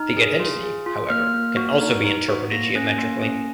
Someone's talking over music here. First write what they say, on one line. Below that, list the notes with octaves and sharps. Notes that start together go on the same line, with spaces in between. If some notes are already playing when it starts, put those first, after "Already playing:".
The identity however can also be interpreted geometrically.
Already playing: D#4 F6
G#4
F4
G#4
F4
A#3 F6
A#3
F#4
D#4
D#4
F#4
A#3 A#6
C#4
A#3
C#4